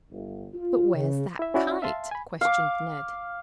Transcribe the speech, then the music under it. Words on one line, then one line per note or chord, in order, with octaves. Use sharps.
"But where's that kite?" questioned Ned.
G1
F4
C#3
E4 E5
C#4 E4 F#4 D5
E5 F5 A5 C6
G#5 B5
F5 D6